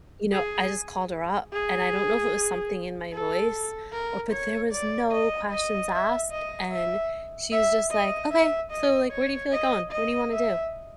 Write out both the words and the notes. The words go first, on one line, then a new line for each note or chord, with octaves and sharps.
you know, I just called her up, and I don't know if it was something in my voice or but, there was no questions asked, and she was just like, "Okay, so, like, where do you feel like going? What do you wanna do?"
G#4
G#4
A4
A#4
C#5
D5
D#5
D#5
E5
D#5
E5
E5
D#5
E5
D#5
C#5
D#5
D#5
E5